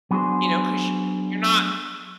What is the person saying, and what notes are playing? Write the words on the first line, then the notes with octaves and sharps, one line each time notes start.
you know, 'cause you're not
F#3 B3 D4 F#4 G#4 C5